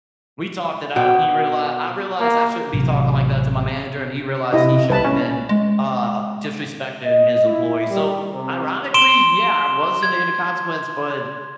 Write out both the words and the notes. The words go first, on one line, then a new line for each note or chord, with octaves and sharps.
we talked it out, and he reali I realized I shouldn't be talking like that to my manager, and he realized he shouldn't have been, uh, disrespecting his employees, so, ironically, yeah, I was gonna get a consequence, but
B2 G5
A#3
A1 C3 F#3
C3 E4 D#5
C2 B4 A5 B5
C#4
G#3
D#5
E4
G3
C3
C6 D7 E7 G7
G#6